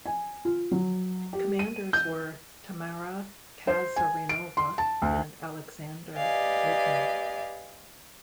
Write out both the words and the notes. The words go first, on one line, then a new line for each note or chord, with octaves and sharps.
Commanders were Tamara Kazarinova and Aleksandr Gridnev.
G#5
F4
F#3
G4
D#7
G6
C5
G#5
D7
C6
A5
D2
G4 B4 D5 D#5 F5 G#5